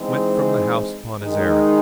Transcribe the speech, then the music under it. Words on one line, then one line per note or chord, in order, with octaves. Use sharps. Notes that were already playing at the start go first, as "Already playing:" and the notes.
He went from the house upon his errand.
Already playing: E3 G#3 C4 D#4
D#3 G#3 D#4